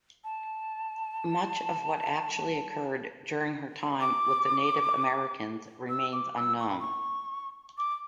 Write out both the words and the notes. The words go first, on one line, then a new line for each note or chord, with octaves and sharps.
Much of what actually occurred during her time with the Native Americans remains unknown.
A5
D6
E6
D6
E6
C#6
B5
C#6
D6